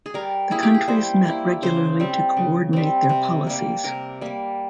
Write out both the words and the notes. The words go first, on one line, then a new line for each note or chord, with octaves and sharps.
The countries met regularly to coordinate their policies.
G#4
G3 A#4
A#3 E4 G#4
G4
G#4
G3 C5
A#3 E4
C#3 C5
G3 C4
C#3
G3 C4
C3
G3 A#3
C3 A#4
G3 A#3